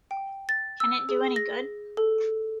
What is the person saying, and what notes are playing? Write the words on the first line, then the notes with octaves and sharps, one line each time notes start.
Can it do any good?
G5
A6
E6
G#4
A#6
A4